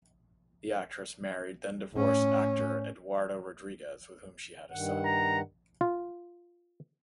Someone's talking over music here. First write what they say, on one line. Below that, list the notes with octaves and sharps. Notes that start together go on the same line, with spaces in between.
The actress married, then divorced, actor Eduardo Rodriguez, with whom she had a son.
A2 C#4
G2 D#3 F#5
A#5
F4